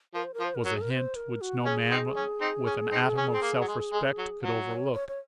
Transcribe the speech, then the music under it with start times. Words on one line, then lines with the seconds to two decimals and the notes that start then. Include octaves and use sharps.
It was a hint which no man with an atom of self-respect could overlook.
0.14 F3 A#4
0.24 C5
0.34 A#4
0.40 F3
0.45 C5
0.55 A#4
0.65 F#3
0.73 G#4
0.81 A#4
0.90 C5
1.16 A#4
1.41 F#4
1.66 C#4 G#4
1.91 C4 D#4
2.16 C#4
2.41 C4 D#4
2.66 C#4
2.91 C4 D#4
3.17 C#4
3.34 C4
3.42 A#3
3.61 F#3
3.68 G#3
3.93 G#3
4.19 F#3
4.43 F#3
4.68 C#5
4.93 C#5
5.08 C#5